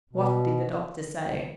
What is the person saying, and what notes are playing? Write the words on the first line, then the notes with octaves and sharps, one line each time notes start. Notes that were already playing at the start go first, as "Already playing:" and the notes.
"What did the doctor say?"
B2